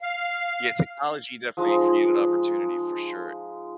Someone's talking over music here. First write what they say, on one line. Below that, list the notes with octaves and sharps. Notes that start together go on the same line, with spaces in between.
Yeah, technology definitely created opportunity for sure.
F5
F3 G#3 D#4